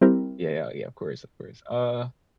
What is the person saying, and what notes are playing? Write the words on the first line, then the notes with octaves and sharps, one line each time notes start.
Yeah, yeah, yeah, of course, of course, uh
G3 C4 E4 G4 A#4